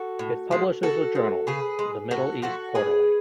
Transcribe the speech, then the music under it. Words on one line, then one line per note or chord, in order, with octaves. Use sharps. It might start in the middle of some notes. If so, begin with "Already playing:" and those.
It publishes a journal, the "Middle East Quarterly".
Already playing: F#4 A4
A2
F3 G#3
C#3 F#4 A4
G#3
C#3 G#4 B4
G#3
A2 F#4 A4
F3 A3 F#4 A4
A2 G#4 B4